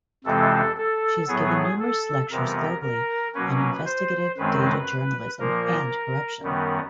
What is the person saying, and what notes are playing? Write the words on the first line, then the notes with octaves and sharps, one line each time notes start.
She has given numerous lectures globally on investigative data journalism and corruption.
F2 C3 E3 G#3 C4 A4
A4
A2 F#3 B3 G#4
A4
F2 C3 E3 G3 B3 A#4
A#4
B2 F#3 A#3 C#4 B4
C5
F#2 D#3 G#3 C4 B4
A#2 F3 A#3 A#4
F#2 D#3 G3 B3